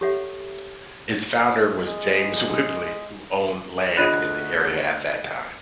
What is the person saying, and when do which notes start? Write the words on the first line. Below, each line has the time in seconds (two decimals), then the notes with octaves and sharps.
Its founder was James Wheble, who owned land in the area at that time.
0.01 G4 A4 C#5 E5 F#5
1.86 G#3
3.97 D2 D4 F4 G#4 D#5 B5 F#6 D#7